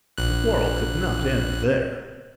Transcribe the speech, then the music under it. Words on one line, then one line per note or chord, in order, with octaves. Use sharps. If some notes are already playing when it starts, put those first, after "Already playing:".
The quarrel could not end there.
A#1 F#6